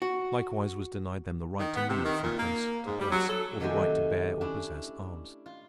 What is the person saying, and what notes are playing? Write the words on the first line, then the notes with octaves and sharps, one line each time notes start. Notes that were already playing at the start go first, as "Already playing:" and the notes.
Likewise was denied them the right to move from place to place, or the right to bear or possess arms.
F#4
D#3
B3
C3
D#3
A#2
A#3
G#2
G3
F#3
A4
C3 D#3 F#3 A3 G5 G#5
C#4 D4 E4
F4